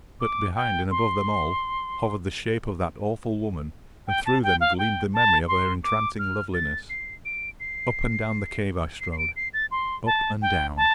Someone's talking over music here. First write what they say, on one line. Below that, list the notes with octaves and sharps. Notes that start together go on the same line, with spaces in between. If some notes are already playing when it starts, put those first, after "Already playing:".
But, behind and above them all, hovered the shape of that awful woman, and through them gleamed the memory of her entrancing loveliness. Up and down the cave I strode--up and down.
D6
G5
C6
G5
A5
G5
F5
G5
A5
C6
D6
F6
A6
C7
D7
C7
C7
C7
D7
C7
A6
C6
A5
G5
A5